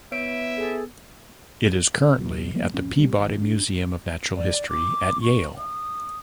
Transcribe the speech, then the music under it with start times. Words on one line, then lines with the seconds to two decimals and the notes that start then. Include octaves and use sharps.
It is currently at the Peabody Museum of Natural History at Yale.
0.12 B3 E4 C#5 E5 D7
0.57 G#4 A4
2.17 C2 A#2 F#3
2.55 F3 G3 A#3 B3
2.71 D#1 G#1 F2 C#4
2.99 C3 G3
3.18 G#1
3.42 D4
4.36 D5
4.69 D6
5.22 C#6
5.58 D#6